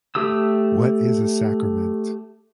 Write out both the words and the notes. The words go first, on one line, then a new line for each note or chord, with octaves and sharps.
What is a sacrament?
A3 G4 D#6 E6